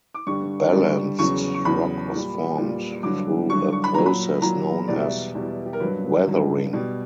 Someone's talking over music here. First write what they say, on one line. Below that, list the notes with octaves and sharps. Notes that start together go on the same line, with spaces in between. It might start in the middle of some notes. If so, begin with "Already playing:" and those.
Balanced rock was formed through a process known as weathering.
D6
G2 D3 G3 C#6
G2 D3 G3
E2 C#3 F#3 C#6
C#6
E2 C#3 F#3 B5
A#2 G3
A#2 G3
G2 D3 F#3 D6
G2 D3 F#3 C#6
C#6
B5
A#2 F#3 A#5
B5
A#2 F#3 A#5
E2 B2 G3 D5
E5
D5
E2 B2 G3
G4
A#4
G2 F#3 B4
G2 F#3
B2 G3